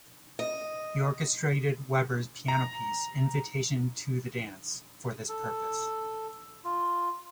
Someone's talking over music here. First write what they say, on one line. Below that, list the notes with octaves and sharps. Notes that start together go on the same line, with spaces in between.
He orchestrated Weber's piano piece "Invitation to the Dance" for this purpose.
D#5
A#5
A4
F4